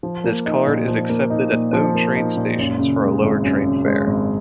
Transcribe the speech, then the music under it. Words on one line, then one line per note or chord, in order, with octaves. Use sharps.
This card is accepted at O-Train stations for a lower train fare.
F3
A#3
D#4
A#2
F3
A#3
D#4
A#2
F3
A#3
D#4
A#2
F#2
C#3
G#3
G#1
F#2
C#3
G#3
G#1